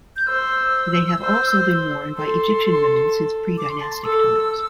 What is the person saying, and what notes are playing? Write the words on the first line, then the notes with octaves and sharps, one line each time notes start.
They have also been worn by Egyptian women since predynastic times.
G6
C5 E6
C5
A4 C6
D6
C6
A5
C6
A4 E6